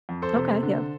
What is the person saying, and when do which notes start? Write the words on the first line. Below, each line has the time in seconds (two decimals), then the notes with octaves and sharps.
Okay, yeah.
0.09 F2
0.22 A4 C5
0.36 C3
0.63 D3